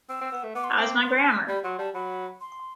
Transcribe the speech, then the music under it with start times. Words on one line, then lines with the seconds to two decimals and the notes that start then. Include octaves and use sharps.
How is my grammar?
0.09 C4 E6
0.21 C4
0.32 B3
0.43 A3
0.55 B3 D6
0.64 C6
0.72 D6
0.78 C4
1.01 C6
1.48 G3 B5
1.64 F#3 C6
1.79 G3 A5
1.94 F#3 B5
2.41 C6